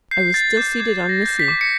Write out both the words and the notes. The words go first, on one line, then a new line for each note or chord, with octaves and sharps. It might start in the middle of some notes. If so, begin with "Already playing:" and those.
I was still seated on Missy.
G6 C7
G6 A6
D6 G6
D6 G#6
G6
A#6
G6
B6
D6
C#7